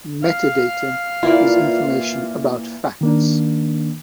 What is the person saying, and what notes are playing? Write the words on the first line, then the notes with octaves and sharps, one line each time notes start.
Metadata is information about facts.
F5
A#2 E3 E4 F4 A#4 D5
D#3 A#3 D4